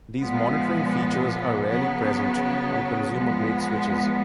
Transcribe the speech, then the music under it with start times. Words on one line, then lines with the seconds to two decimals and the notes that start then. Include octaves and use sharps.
These monitoring features are rarely present on consumer-grade switches.
0.20 A#2 F3 G#3 B3
1.67 C#3 F#3 B3
3.13 A#2 F3 G#3 B3